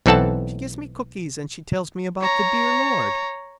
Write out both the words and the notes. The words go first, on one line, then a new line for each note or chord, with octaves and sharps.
She gives me cookies and she tells me about the Dear Lord.
B1 E3 C4 A4 F#5 A5
C#5 A#5